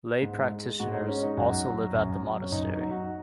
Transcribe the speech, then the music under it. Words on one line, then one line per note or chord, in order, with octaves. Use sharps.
Lay practitioners also live at the monastery.
G#2
G#3
G#2 F#4
D#4
G#3 C#4
D#4
F#2 F#4
F#3
F#2
F#3
C#4
F#2 D#4
D#4
F#3
F#4